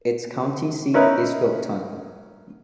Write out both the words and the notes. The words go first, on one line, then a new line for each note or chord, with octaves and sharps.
Its county seat is Faulkton.
C#4 D#4 E4 A#4 B4